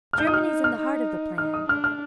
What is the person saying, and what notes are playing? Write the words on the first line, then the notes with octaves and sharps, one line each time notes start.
'Germany's in the heart of the plan.
F6
D#4 G6
D#6
F6
F6
D#4
D#4 F6
D#6
D4 F6
F6